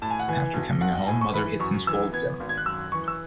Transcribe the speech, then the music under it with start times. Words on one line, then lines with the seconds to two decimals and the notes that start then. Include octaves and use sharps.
After coming home mother hits and scolds him.
0.02 A2 A5
0.10 G#5
0.19 F#5
0.28 E3 G#5
0.54 B1
0.81 B1 F#5
1.07 A2 G#5
1.21 C#6
1.34 E3 B5
1.60 F#2 C#6
1.87 E3 E6
2.13 B3 G#6
2.40 G#1
2.49 G#6
2.58 F#6
2.66 F#2 E6
2.92 E3 C#6
3.08 E6